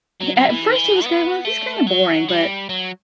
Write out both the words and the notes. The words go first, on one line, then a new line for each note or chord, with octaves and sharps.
He at first, he was kinda, "Well, he's kinda boring," but,
F#3
F#3
E3
D#3
E3
B3
A3
F#3
G3
F#3